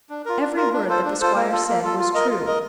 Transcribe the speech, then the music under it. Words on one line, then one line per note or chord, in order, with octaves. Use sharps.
Every word that the squire said was true.
D4
F4 A#4
D4
F4 A#4
D4
F4 A4 C5
D4
F4 A4 C5
A#3
F4 A4
A#3
F4 A4
F4
A#4 D#5
F4
A#4 D#5